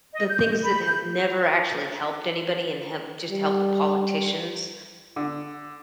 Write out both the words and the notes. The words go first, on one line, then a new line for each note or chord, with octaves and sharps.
the things that have never actually helped anybody and have just helped the politicians.
D#5
G6
B5
G6
G3
D3